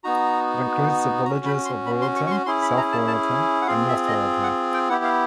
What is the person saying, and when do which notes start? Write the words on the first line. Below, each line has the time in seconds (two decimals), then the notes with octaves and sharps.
It includes the villages of Royalton, South Royalton, and North Royalton.
0.04 B3 D#4 F#4 A#5
1.25 C#4 F#4 A#5
1.46 B5
1.65 C6
1.86 B5
2.02 C6
2.16 C#6
2.27 C#6
2.31 C6
2.46 C#4 E4 G#4 C6
2.62 B5
2.77 A#5
2.92 A5
3.07 A5
3.62 F#5
3.67 C4 F4 G#4 F5
3.88 E5
4.08 D#5
4.43 F#5
4.74 G5
4.89 B3 E4 G4 F#5
5.04 F5